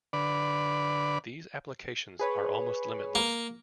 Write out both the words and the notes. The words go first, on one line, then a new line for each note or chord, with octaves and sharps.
These applications are almost limitless.
D3 B4 D5
G#4 B4 C#5
A#3